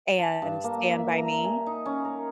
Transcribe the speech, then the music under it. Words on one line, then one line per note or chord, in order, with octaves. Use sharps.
and Stand By Me.
A5
G2
A#3
E5
A#5
G#5
D#4
C#4
A#4